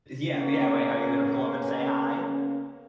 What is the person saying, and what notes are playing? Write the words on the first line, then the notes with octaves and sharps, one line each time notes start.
Yeah, yeah, right. Are you gonna pull up and say hi?
C#3 A#3 B3 C#4